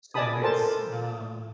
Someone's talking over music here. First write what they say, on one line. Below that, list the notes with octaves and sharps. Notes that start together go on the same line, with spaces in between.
So it's, um
D5 D#5 G#5 A5 B5 D#6
A4 A#4 C5 A5